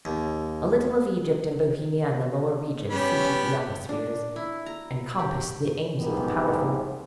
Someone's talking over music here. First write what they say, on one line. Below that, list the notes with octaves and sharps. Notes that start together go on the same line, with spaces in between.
A little of Egypt and Bohemia in the lower regions suited the upper spheres, and compassed the aims of the powerful.
D#2
G3 B3 C#4 B5
D4
E4
A#5
G4
C2 F2 G#2 E3 B3 G4